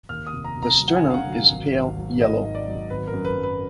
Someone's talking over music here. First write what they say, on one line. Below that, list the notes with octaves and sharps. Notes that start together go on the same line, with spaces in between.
The sternum is pale yellow.
D#2 F6
D#6
F1
A#5
F1
A#5
F#3
F#5
G#5
D3
F5
F#5
F#3
F5
G#1
G#1
F#3
G#2 D#5
D#3
D5
F#3
G#1 B4
A#4
F#2
B4
F#2
B4